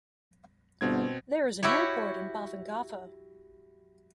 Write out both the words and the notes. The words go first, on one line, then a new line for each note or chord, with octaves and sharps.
There is an airport in Bafangafo.
G1 B2 C4 G#6
E4 F#4 G4 C#5